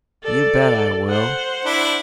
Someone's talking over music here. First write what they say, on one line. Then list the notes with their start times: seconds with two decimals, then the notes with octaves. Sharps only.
You bet I will!
0.23 A4 D5
1.09 C5 F#5
1.65 D4 E4